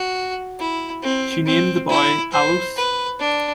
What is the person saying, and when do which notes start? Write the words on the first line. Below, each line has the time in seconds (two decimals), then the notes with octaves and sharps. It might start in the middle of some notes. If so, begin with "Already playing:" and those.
She named the boy Alois.
Already playing: F#4
0.60 E4
1.03 C4
1.46 C4
1.89 E4
2.32 C5
2.77 B4
3.19 D4